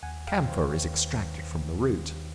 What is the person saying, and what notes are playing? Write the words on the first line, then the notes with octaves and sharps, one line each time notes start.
Camphor is extracted from the root.
D#2 F#5 G#5
F5 G5
D#3
C5
B4 C#5
D#2
D#3
D#2
D#3